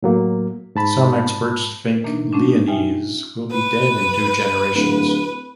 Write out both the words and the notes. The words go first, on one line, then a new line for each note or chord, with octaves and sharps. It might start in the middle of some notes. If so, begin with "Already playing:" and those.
Some experts think Leonese will be dead in two generations.
A2 F#3 A#3
G#2 A5 B5
A#4
B2 E3 A#3 D4 D#4
F#3 A3 C#4 D4
D#4
D#4 F4 E5 G5 G#5
B4
D1